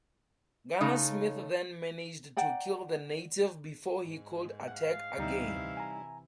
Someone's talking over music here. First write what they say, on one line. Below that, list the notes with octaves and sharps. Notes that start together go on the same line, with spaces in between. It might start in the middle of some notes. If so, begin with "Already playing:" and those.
Gunner Smith then managed to kill the native before he could attack again.
C#3 A3 D#4
D5 F#5 G5 A#5
G#2
F5 F#5
D2 C3 E3 G3 D#4 E4
G#5 A#5